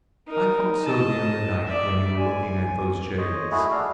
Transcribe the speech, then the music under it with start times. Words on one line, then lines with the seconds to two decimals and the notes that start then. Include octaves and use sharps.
I thought so the other night when you were looking at those jades.
0.27 D#4 A#4
0.85 D#5 A5
1.66 D5 E5
2.17 G#5
3.18 C5 C#5 D#5
3.51 A3 E4 F#4 G#4
3.71 G3 D4 A4 F5